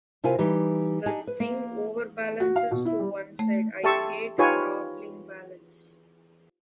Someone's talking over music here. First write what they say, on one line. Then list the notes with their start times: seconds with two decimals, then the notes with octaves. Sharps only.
The thing overbalances to one side — I hate a toppling balance.
0.24 C3 E4 F4 A#4 G#5
0.38 E3 G3 D#4 G4
1.06 D4 D#4 G4 G#5
1.27 B4
1.40 A#3
2.40 F#4
2.56 F5
2.71 B2
2.85 E4
2.99 G3
3.39 A3
3.84 G4 A4 E5 A5 C6 C#6
4.38 D#4 F4 G4 B4 C#5 G#5